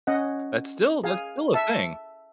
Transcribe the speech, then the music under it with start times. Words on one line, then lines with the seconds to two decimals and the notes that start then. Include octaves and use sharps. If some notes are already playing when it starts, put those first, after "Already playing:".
That's still that's still a thing.
0.07 C#4 D#5 F#5
1.04 G#4 F5 G#5
1.54 E5 A5